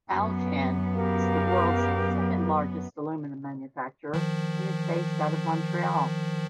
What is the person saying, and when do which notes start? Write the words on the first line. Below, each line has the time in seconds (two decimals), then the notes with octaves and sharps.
Alcan is the world's second largest aluminium manufacturer and is based out of Montreal.
0.12 F#2 B3
0.93 G4 A#4 F5
4.14 D#3 F3